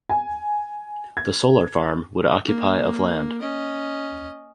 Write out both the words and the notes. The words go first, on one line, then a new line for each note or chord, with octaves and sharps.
The solar farm would occupy of land.
G#5
G#6
A#3
C#4 D#5